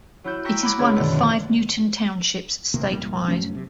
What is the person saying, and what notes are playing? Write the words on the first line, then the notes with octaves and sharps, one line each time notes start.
It is one of five Newton Townships statewide.
F#3 E4 F#4 G6 E7
G5 A#5 C#6 E6 A#6 B6
F#5 B5 D6 G#6 A#6
C#2 G#6
F#2 B2 D3 D#3 A3
E2 F3
E1 D2 C3 A#3
E1 A1 G3 A#3
F#1 F#3 A3 C#4
C3